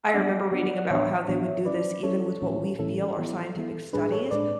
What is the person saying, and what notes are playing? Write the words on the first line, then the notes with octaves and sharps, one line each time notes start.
I remember reading about how they would do this even with what we feel are scientific studies
E5
F#3 B3 D4 D5 F#5
F#3 B3 D4
F#5
A2 E3 B3 D4 C#5 E5
A2 E3 B3 D4
F#3 C#4 E4 B4 D5
F#3 C#4 E4 A4 C#5
A2 E3 A3 C#4 E4
A2 E3 A3 C#4 E4 A4
E3 B3 E4
E3 B3 E4
A2 G#3 D4 G#4 B4
A4 C#5
A2 G#3 D4 B4 D5